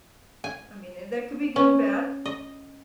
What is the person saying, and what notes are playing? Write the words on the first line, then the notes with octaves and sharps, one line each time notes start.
I mean, and that could be good and bad.
G#5
C#4
D#5